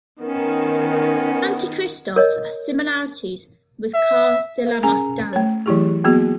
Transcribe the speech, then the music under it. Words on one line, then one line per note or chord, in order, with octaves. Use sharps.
Antikristos, has similarities with karsilamas dance.
D#3 B3 C#4
A#4 C#5 D#5
E5
A#4 F5
C#4 G#4 G#5 A#5
A3 C#5
E3 F#3 A3 E4 G4 G#4
F#3 A#3 B3 F#4 G#4